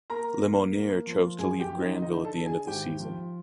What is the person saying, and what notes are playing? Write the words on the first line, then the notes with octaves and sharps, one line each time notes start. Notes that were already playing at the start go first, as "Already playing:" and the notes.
Lemonnier chose to leave Granville at the end of the season.
A#3 A#4 A#5
A#3
A#3
F3
F#2 G#4 G#5
G4 G5
F3
D#4 D#5
D3 D#4 D#5
A4 A5
D3
G#4 G#5
G#1 G4 G5
F3